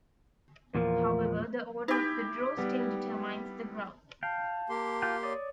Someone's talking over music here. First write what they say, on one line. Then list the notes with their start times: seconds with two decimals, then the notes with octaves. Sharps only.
However the order of the draw still determines the ground.
0.75 E2 A#2 F3 A#3
1.88 D#4 E4 G4
2.57 G3 B3
4.23 F5 G5 A5
4.69 A#3 G4 C6
5.02 F4 F#4 G5
5.23 C#5 D5 D6 D#6